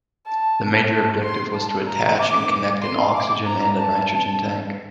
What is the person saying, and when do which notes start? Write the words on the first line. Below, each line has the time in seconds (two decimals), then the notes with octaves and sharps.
The major objective was to attach and connect an oxygen and a nitrogen tank.
0.26 A5
0.90 A5
1.22 C6
1.54 A5
1.86 A#5
2.18 D6
2.82 C6
3.14 D6
3.46 A#5
3.78 A5